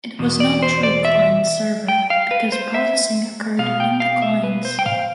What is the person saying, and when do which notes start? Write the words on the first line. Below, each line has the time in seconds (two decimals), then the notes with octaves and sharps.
It was not true client-server because processing occurred in the clients.
0.19 E2 B2
0.40 D5
0.63 C5
0.83 D5
1.05 E5
1.88 G5
2.10 F5
2.31 B4
2.52 C5
2.74 E5
3.58 B2 B3 F5
3.80 G5
4.00 F5
4.22 E5
4.44 B4
4.65 C5
4.79 G5
4.86 F5